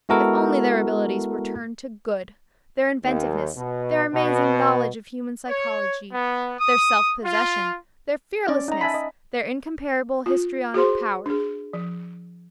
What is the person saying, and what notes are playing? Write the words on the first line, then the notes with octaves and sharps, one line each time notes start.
If only their abilities were turned to good--their inventiveness, their amazing knowledge of human psychology, their self-possession, their fearlessness, their incomparable histrionic powers!
G#3 B3 E4 F#4 A4 A#4
D#2
B2
B2
C#5
B3
D#6
F4
C#4 D5
D#4 A#5
E5 G#5 A5 B5
D#5
F4
F#4 G#4 C5 C6
D4 G#4
F3